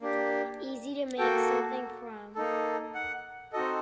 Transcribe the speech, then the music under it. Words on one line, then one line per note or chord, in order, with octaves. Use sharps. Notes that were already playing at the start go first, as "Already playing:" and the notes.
Easy to make something from.
A#3 D4 G4
A#3 F#4 A4 G5
A#3 D#4 A4
F#5
C4 D#4 F#4 A4 D#5